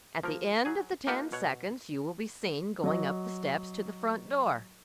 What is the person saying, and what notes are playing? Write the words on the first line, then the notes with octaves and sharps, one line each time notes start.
At the end of the ten seconds you will be seen going up the steps to the front door.
F3 A#3 A#4
F#3 G#4 G#5
A#3 D#4 F4 G4 B4 A5
B2 C#5 F#5
F#3 D#5